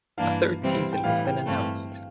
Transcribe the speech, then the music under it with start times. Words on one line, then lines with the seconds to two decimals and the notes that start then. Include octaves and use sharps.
A third season has been announced.
0.18 G2 E3 A#3 D4 F5
0.60 C3 E3 G3 C4 E4
0.93 G5
1.04 A2 E3 G3 F5
1.25 G5
1.46 G2 E3 A3 C4